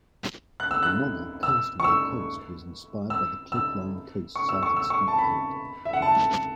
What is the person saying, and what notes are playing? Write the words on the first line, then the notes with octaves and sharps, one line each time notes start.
The novel "Castaway Coast" was inspired by the cliff-lined coast south of Steep Point.
F#6
E6
F#6
E6
C#6
E6
E6
E6
C#6
E6
C#6
E6
C#6
A5
B5
E5
F#5
A5